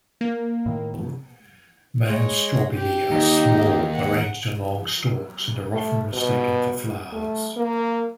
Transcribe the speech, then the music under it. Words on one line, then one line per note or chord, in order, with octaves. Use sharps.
Male strobili are small, arranged in long stalks, and are often mistaken for flowers.
A#3
A2 D#3
G#3 C#5
G4
D#2 D#4
F#5
A3
B2
A3
A#3